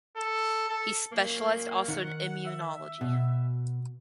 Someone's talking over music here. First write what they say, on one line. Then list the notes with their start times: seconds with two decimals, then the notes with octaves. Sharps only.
He specialized also in Immunology.
0.17 A4
0.69 A4
1.12 F#2 A#2 A#3
1.88 D#3 F#5
2.45 E5
3.01 B2